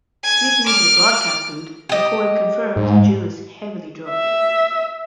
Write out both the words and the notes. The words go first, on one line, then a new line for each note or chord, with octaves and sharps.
Sneaking into the broadcast booth, McCoy confirms Gill is heavily drugged.
G#5
D6 F6
G4 D#5
G#2
E5